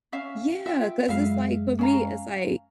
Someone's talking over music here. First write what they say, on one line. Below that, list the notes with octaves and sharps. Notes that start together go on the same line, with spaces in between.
Yeah, 'cause it's like for me, it's like
C#4 E5 F5
F4 E5 G5
F#2 G#3 E5 F5
C#4 F5 A#5